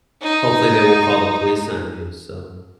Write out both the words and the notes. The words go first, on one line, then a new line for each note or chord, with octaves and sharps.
hopefully they won't call the police on you, so
D#4